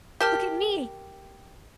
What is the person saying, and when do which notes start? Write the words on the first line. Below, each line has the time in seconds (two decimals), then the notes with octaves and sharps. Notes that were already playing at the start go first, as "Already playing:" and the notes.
"Look at me!"
0.21 G4 A#4 A5 F6